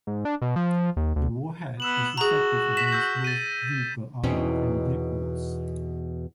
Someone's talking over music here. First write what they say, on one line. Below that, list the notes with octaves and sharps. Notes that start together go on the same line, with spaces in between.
The warhead is effective against both vehicle armour and brick walls.
G#2
D4
B2
F3
D#2
D2
B3 E6 E7 F#7
F#4 G#4 A#5
A#6 B6 E7
E6 G6
A6 D#7
E2 B2 C4 C#4 D#4